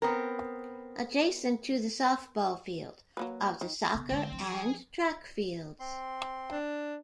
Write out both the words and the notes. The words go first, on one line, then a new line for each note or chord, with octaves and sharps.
Adjacent to the softball field are the soccer and track fields.
B3 C4 A#4
F#3 A#3 B4
D#3
C#3 B3
D3 G#3 C4
F3 D4
G#4 G#5
C4 C6
D4